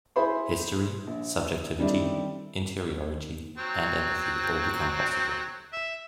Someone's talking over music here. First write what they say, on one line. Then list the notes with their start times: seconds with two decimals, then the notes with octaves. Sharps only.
History, subjectivity, interiority, and empathy all become possible.
0.16 E4 G#4 C5 B5 C6
1.07 A#1
1.78 D3 D#3 G3 C4 D4 E4
3.58 F#3 C4
5.73 E5